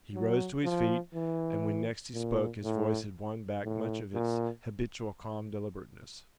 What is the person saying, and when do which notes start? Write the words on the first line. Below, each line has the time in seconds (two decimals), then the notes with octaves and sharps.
He rose to his feet, and when next he spoke his voice had won back much of its habitual calm deliberateness.
0.14 F#3
0.64 F3
1.14 E3
2.14 A#2
2.63 A2
3.64 A2
4.14 A#2